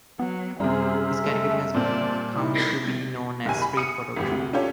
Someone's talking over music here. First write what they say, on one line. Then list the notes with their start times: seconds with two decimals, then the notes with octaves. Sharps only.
This category has come to be known as street photography.
0.19 F#3 B3
0.60 F#2 C3 G3 G#4 C5 E5
1.23 G#3 A3
1.74 A#2 C4 D5 A5
2.36 D#4 E4
3.45 F#1 D#2 G#5
3.62 B5
3.77 D#6 C#7 D#7
4.16 G#1 E2 G4
4.30 D2 C3
4.53 C#4 D4 F4 G4 A4 C#5